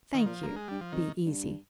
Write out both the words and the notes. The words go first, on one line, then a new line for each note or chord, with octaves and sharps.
Thank you; be easy.
D#3
A#2 F3
A#3
G2
G#3
G2 G3
F3
F2 D#3
G2